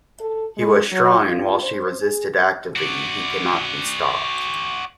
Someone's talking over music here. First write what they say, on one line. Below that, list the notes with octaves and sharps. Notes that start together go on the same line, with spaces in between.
He was strong and while she resisted actively he could not be stopped.
A4
G#3
F#3
F4
C5
G#4
F#4 D5